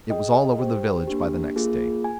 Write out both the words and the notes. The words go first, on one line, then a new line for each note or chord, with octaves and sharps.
It was all over the village by the next day.
G#4 D#5 G5
G4 C5 G5
A#3 D4 G4
A#3 F4 G#4
G#5